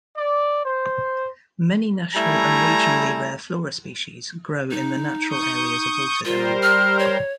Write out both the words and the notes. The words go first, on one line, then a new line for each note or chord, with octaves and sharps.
Many national and regionally rare flora species grow in the natural areas of Waterdown.
D5
C5
G3 A3 E4 G#5 A#5
D#4
C#6 D#6 G6
G3 F4 A#4 C5
F6
C#5